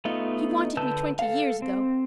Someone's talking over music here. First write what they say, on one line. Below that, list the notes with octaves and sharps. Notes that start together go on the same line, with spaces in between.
He wanted me twenty years ago.
A3 B3 D#4 F4
D3 B4 A5 E6 G6
A4 F5
C4